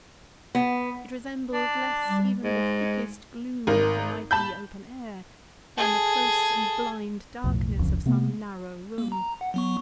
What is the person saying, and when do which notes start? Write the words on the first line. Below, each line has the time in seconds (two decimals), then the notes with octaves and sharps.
It resembled less even the thickest gloom of a night in the open air than the close and blind darkness of some narrow room.
0.55 B3
1.52 D4
2.07 G3
2.43 G#2 G#3
3.67 G#1 A#4
4.31 A5 B5 G6
5.78 G#4 A4
7.44 B1 F2 A2
7.78 D1 C2 F2 C#3
8.06 C3 A3 B3
8.98 A#3
9.12 A#5
9.41 F#5
9.54 F#3 B3 C#6